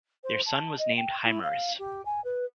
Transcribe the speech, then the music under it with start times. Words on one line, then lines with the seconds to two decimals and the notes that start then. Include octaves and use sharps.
Their son was named Himerus.
0.24 C5
0.46 A5
0.78 D#5
0.97 G5
1.24 E4
1.43 F5
1.79 G4
2.05 G#5
2.24 B4